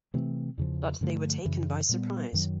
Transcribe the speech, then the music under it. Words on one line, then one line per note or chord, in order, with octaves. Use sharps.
But they were taken by surprise.
C3 E3 A3 C4
E2 C#3 F3
G2 D3 F3 A3
F#2 C#3 E3
A#2 G3 B3
F#2 D#3 F#3